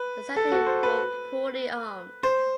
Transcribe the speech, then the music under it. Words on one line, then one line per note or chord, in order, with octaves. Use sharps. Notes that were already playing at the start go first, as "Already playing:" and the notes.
The Santee were poorly armed.
Already playing: B4
A4
F#4
C5
B4
C5